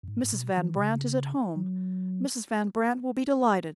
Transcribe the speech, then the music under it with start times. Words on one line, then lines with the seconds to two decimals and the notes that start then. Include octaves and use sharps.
Mrs. Van Brandt is at home. Mrs. Van Brandt will be delighted.
0.03 F#2
0.08 G#2
0.23 G#2
0.32 B2
0.57 E3
0.76 B2
0.82 C#3
1.56 F#3